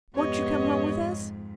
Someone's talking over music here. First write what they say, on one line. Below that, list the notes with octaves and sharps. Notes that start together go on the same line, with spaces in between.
"Won't you come home with us?"
F2 G#2 B3 G4 C#5 D#5